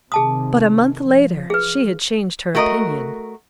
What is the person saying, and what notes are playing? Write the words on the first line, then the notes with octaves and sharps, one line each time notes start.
But a month later she had changed her opinion.
C3 D#3 G#4 A5 D#6
F3
G#4 B4
A3 F#4 A#4 B4 D#5